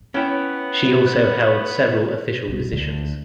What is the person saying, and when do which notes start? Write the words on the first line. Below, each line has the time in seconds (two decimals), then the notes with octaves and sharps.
She also held several official positions.
0.14 B3 C#4 E4 C#5 E5 G5
2.49 C2 B2
2.72 D2